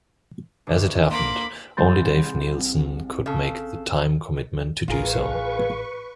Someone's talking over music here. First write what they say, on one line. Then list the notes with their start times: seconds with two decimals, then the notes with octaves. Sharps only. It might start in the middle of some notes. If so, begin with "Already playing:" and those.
As it happened, only Dave Neilsen could make the time commitment to do so.
0.67 D2 C#6
1.11 A#3 B5 C6 D6
1.77 C2 G#4 B5 C6 G6 A6
2.59 A1 C4
3.26 C#3 A4
4.88 A1 F4 G#4 A#4 B4 C#6